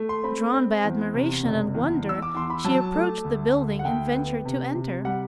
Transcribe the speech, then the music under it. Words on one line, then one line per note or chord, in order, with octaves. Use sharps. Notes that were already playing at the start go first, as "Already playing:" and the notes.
Drawn by admiration and wonder, she approached the building and ventured to enter.
Already playing: A3
C6
C4 B5
C4
E2
C3
F#1
E2
E2 E6
D6
E2 C6
B5
F#3 A5
A3
D2
D2
F#5
D2 G5
B3
C3
C3
G3 F#5